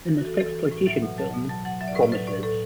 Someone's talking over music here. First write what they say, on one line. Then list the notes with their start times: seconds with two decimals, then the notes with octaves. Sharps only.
In the sexploitation film Promises!
0.09 E3
0.18 F#4
0.24 E3 A4
0.40 E3 A4
0.56 E3
0.71 A2
0.87 F#3 E5
1.02 B2 F#5
1.18 F#3 A5
1.34 B2
1.49 F#3 A5
1.65 F#3 F#5
1.81 F#3 E5
1.88 D5
1.95 A2 B4
2.03 D5
2.12 F#3 B4
2.27 A2 D5
2.43 A2 A4